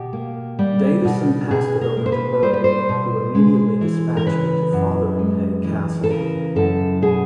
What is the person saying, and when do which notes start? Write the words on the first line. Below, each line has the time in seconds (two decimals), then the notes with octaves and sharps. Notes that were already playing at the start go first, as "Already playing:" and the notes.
Davison passed it over to Burghley, who immediately dispatched it to Fotheringhay Castle.
Already playing: B2 G4
0.13 A#3
0.59 G3
1.05 B2
1.51 B2 G#4
1.81 A#4
1.97 A#3
2.06 C5
2.12 B4
2.43 G3 C5
2.53 B4
2.64 C5
2.89 B2
3.35 G#3
3.81 E3
4.17 A#4
4.26 C#3 B4
4.73 F#2
5.19 G#3
5.64 E3
6.04 A4
6.10 C#3 A#4
6.56 F#2 A4
7.02 B2 G#4